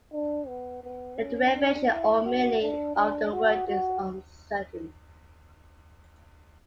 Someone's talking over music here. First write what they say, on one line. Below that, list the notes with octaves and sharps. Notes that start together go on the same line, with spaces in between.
The derivation or meaning of the word is uncertain.
D4
B3
B3
C#4
D4
E4
F#4
D4
D4
F#4
F#4